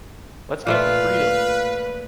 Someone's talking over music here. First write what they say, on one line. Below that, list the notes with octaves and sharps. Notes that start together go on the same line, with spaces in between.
Let’s go for Freedom!
A#2 A3 F4 B4 F5